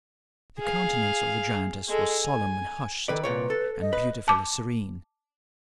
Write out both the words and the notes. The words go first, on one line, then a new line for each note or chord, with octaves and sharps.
The countenance of the giantess was solemn and hushed, and beautifully serene.
G#4 F5
G#3 A4
G#5
D#3 A4 B4 D5
C2 A#2 B4 C#5
A4
D#5
B4
A5 D6